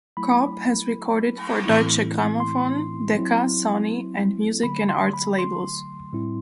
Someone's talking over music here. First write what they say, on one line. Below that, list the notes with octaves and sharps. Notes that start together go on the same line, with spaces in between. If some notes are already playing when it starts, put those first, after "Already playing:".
Cobb has recorded for Deutsche Grammophon, Decca, Sony, and Music and Arts labels.
F#3 A3 E4 B5
A2 E3 A3 C4 E4
C6
F#3 C4 E4
D3 F#3 A3 B5
C6
B5
C6
A2 G3 C4 E4